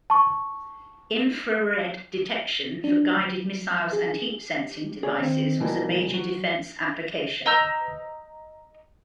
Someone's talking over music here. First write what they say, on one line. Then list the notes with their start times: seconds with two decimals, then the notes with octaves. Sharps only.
Infrared detection for guided missiles and heat sensing devices was a major defence application.
0.10 A5 C#6
2.84 D4
3.17 F#3
3.93 G#4
5.03 G#4 C#5 D5
5.18 D#3 C4
5.60 B2 E3 G3 A#3
6.14 F#3
7.46 D#5 A#5 E6 G6